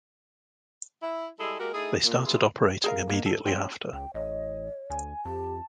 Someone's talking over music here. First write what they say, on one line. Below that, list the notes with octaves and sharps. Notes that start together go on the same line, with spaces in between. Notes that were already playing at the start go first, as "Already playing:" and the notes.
They started operating immediately after.
E4
G3 G#3 E4 G#4 A4
G#3 A#3 F#4 G4 A#4
A3 D#4 E4 G#4
A#2
B2 E4 F4 G#4
G#4 A#4 F5
A#3 D#4
A4
C4 C#4
C#2 G5
A1 C#5 D#5
D2 G#5
F2 G4 A5